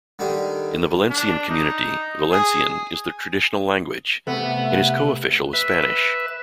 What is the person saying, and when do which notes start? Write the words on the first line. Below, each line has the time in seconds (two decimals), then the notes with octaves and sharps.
In the Valencian Community, Valencian is the traditional language and is co-official with Spanish.
0.19 D3 D#3 G3 D4
1.10 D4
1.49 D#4
2.31 G#4
4.27 C3 A3 B3 E5
5.53 B4 E5